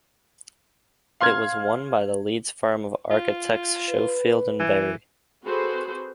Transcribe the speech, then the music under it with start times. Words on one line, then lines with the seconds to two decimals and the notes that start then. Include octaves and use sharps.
It was won by the Leeds firm of architects Schofield and Berry.
1.21 F5 C6 F6 G#6
3.11 F4
3.89 B4
4.60 E3
5.45 C4 F#4 G#4 A4 B4 C5